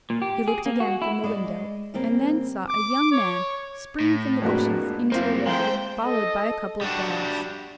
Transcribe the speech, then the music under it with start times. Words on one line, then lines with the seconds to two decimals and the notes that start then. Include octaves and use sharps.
He looked again from the window, and then saw a young man spring from the bushes into the road, followed by a couple of dogs.
0.10 A#2
0.22 G4
0.48 G#4
0.66 A#3
0.80 F#4
1.02 E4
1.24 G#3 D5
1.94 C#3 G3 A#3 C4
2.69 D6
3.12 C#5
4.00 A2
4.42 F2 G#3 A#3 D4 F#4 B4
5.12 F#2 A#3 C4 E4 F4 C5
5.46 G#3 A3 C5 F5 G5 G#5 A#5 F#7
6.03 A4 D#5
6.81 G3 D4 F#4